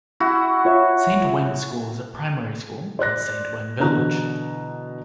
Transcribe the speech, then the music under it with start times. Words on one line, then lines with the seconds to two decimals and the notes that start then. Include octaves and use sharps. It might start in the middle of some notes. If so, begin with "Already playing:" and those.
Saint Wenn School is a primary school in Saint Wenn village.
0.20 E4 F#4
0.65 F4 C#5 E5
2.99 C5 D5 F#6 A#6
3.80 B2 D3 E3 A#5 F#6